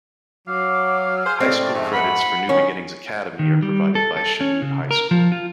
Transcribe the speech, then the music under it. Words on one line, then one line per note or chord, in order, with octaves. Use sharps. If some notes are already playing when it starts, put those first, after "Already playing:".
High school credits for New Beginnings Academy are provided by Chanute High School.
F#3 F5 D6
G#4 C5
A2 G#3 A3 C4 D5
F2 G#2 A3
F#5 B5
B2 D#3 C#4
D#3
G3
A4
A4
C#4
C#3
A#4
F3
F4